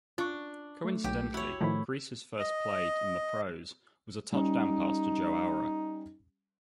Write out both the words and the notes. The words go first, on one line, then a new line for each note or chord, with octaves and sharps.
Coincidentally, Griese's first play in the pros was a touchdown pass to Joe Auer.
D4 F4 C#6
A3
B1 G4
E4 F#4 C#5
A2 D#3 F3 A3 B5
D#5
G3 C#4 D#4